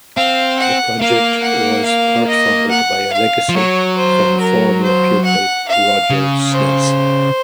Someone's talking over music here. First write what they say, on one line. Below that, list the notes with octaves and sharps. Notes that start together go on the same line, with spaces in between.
The project was part-funded by a legacy from former pupil Roger Snelson.
C4 F5
F#5
A#3 F5
F#5
F5
D#5
F#5
F5
F3
F#3 C#5
C5
A#4
C5
F#5
F5
C#3
C5